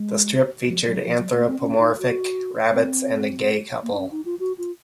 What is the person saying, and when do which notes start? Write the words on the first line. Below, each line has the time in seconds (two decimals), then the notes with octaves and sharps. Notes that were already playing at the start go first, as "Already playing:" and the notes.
The strip featured anthropomorphic rabbits and a gay couple.
Already playing: G#3
0.67 F3
0.86 F#3
1.05 F3
1.18 F#3
1.33 A#3
1.46 C4
1.60 C#4
1.79 D#4
1.98 F#4
2.73 C4
3.83 A#3
3.93 D#4
3.98 C#4
4.11 D#4
4.26 F4
4.40 F#4
4.58 F4